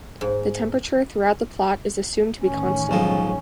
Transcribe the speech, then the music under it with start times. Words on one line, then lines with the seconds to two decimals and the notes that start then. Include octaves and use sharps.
The temperature throughout the plot is assumed to be constant.
0.21 G#2
2.42 A1 D#3 C#4
2.91 B1 F3 G#3